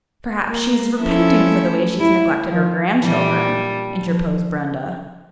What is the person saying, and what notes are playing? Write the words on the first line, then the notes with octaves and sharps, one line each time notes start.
"Perhaps she's repenting for the way she has neglected her grandchildren," interposed Brenda.
A#3
F3 C#4 E4 A4 E5
A3
E4
F3
A#2 E3 G3 D4
F3